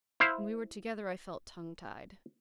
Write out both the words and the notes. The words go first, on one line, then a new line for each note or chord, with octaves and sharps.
When we were together I felt tongue-tied.
E4 C5 F5